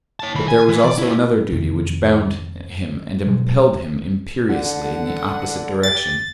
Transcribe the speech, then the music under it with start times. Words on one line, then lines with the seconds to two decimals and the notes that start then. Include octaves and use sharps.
But there was also another duty which bound him and impelled him imperiously in the opposite direction.
0.20 C#5 A5
0.35 D#3 B5
0.48 G#5
0.69 E3
0.84 D5
0.98 B2 E4
1.52 F2 C3 D#3
3.27 B2 F#3 G#3
4.49 D3 F#5
5.83 G4 A6